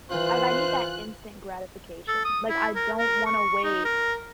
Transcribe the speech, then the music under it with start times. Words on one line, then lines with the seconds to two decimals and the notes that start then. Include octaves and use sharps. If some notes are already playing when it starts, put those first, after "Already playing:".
like, I need that instant gratification, like, I don't wanna wait
0.11 E3 F4 C5 F#6
2.08 A4
2.25 D#6
2.49 E4
2.76 A#4
2.98 A#4
3.26 C#6
3.64 D#4
3.85 A#4